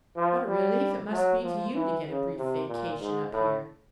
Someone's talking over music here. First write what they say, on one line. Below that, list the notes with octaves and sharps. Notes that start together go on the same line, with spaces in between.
What a relief it must be to you to get a brief vacation up here.
F3
G3
F#3
F3
E3
C#3
C3
A#2
G#2
A2